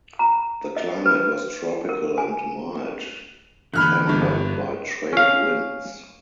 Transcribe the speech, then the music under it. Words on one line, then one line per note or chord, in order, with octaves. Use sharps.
The climate was tropical and mild, tempered by trade winds.
A#5
D#5
B4
A#4
G#5
D3 E3 A#3 B5 F6 F#6
G1 G2
C#4 F5